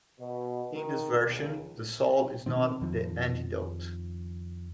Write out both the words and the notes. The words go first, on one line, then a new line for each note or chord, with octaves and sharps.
In this version, the salt is not the antidote.
B2
D#3
C#2
B2 D#3 C4
F2 D#3 F3